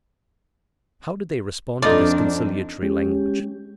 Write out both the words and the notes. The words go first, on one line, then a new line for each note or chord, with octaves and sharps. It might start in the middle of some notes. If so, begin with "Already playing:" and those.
How did they respond to this conciliatory language?
F2 C4 D4 D#4 F4 D5
G#3 C#4 G4